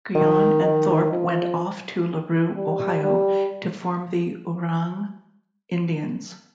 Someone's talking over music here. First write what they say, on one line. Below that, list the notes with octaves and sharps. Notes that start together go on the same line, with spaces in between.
Guyon and Thorpe went off to LaRue, Ohio to form the Oorang Indians.
D#3
D#3
F3
G3
G3